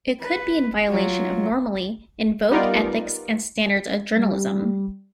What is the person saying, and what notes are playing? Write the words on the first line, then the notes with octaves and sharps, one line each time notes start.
It could be in violation of normally in vogue ethics and standards of journalism.
B4
F#3 F4
G3 B3 D#4 F4 A#4 D5
G3